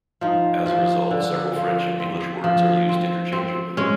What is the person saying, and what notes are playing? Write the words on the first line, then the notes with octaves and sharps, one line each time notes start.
As a result several French and English words are used interchangeably.
F3 D#4
F3
D3
F3
C4
F3
C4
C4
G#3 C#4